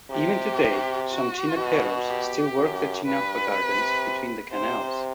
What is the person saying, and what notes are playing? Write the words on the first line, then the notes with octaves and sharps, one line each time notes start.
Even today, some "chinamperos" still work their chinampa gardens between the canals.
C3 G4
F#4
B2
G4
F#2
G2 B4
C3
C3 C5